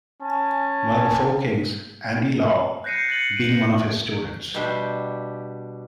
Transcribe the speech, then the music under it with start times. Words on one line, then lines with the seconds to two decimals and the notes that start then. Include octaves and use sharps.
One of the four kings-Andy Lau, being one of his students.
0.21 C#4 G#5 A5
2.84 F#6 G6 A#6 C7 C#7 D#7
3.08 F#6 A6 A#6 C#7 D#7 F#7
3.36 D7 D#7 F#7
4.54 B2 G3 D4 C5 E5